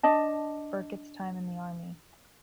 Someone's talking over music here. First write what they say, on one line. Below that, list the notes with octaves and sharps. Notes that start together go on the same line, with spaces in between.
Burkett's time in the Army.
D4 D#5 A5